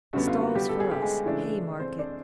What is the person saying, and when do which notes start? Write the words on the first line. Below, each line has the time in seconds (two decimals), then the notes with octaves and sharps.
Stalls for us, Haymarket.
0.13 F#2 D3 G3 B3 F#4
0.27 F4
0.41 F#4
0.55 G3 G4
0.69 A4
0.80 G#4
0.91 G4
1.02 G#3 G#4
1.25 C#3 E3 A3 D4
1.80 C4 C5
1.99 D4 D5